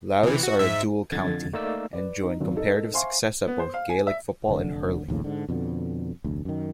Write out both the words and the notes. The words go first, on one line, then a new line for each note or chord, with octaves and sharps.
Laois are a dual county, enjoying comparative success at both Gaelic football and hurling.
C3 E3
F#4
G#2 E5
F2 D3 G#6 A6
A3 A#3 D#4 D5 E6
B4 D5
D#4
G#1 F#3
D#4 A4 A#4 D#5
C5 E5 F5 G#5 C6 C#6
B3
C5
F5
G#5
E5
F1 D3
A#1 D#2 A2 C#3
G#2 D3
F2 B2 D3
F1 D2
F#2 D#3